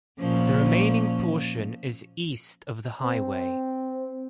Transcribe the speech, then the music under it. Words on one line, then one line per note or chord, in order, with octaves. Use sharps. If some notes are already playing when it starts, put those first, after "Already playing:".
The remaining portion is East of the highway.
A#2 F3 C#4
C4